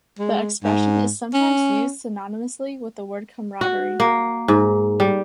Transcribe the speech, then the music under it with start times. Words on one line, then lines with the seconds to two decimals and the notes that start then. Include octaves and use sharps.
The expression is sometimes used synonymously with the word camaraderie.
0.19 G#3
0.64 G#2
1.34 C#4
3.61 F#4
4.00 A#3
4.48 G#2
5.00 G3